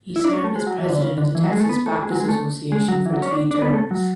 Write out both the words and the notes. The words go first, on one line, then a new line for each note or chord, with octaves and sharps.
He served as president of the Texas Baptist Association for three terms.
E4
D4
C#4
A3
G#3
F#3
E3
D3
C#3
D3
E3
F#3
G#3
A3
B3
A3
G#3
F#3
G#3
A3
G#3
F#3
E3
F#3
C#4
D4
D4
B3
A3
F#3